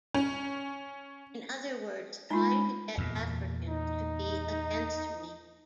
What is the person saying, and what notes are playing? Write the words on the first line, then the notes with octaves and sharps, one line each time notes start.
In other words, trying to get Africans to be against me.
C#4
G#3 D#4 F4 B5
E2 A#2
D#4